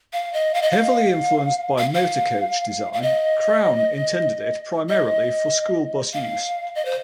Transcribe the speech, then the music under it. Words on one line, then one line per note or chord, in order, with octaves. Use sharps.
Heavily influenced by motorcoach design, Crown intended it primarily for school bus use.
F5
D#5
F5
D#5
F5
F5
F5
F5
D#5
D#5
F5
D#5
C5